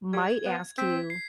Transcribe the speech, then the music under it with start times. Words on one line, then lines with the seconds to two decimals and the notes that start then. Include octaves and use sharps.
might ask you
0.13 G3 G#6
0.46 B3
0.78 C4 B6
1.10 C7